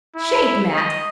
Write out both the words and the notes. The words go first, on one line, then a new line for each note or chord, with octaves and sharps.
Shake, Matt!
E4
D#5